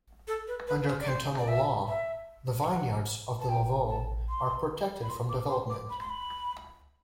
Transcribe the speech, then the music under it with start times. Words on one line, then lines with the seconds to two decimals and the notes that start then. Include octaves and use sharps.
Under cantonal law, the vineyards of the Lavaux are protected from development.
0.28 A4
0.48 B4
0.67 B4
0.88 C5
1.00 D5
1.08 C5
1.38 D5
1.48 E5
1.88 E5
2.68 F#5
3.40 A5
3.49 G5
3.89 A5
4.29 C6
5.03 B5
5.09 C6
5.29 D6
5.49 C6
5.70 D6
5.90 B5
6.00 C6
6.09 B5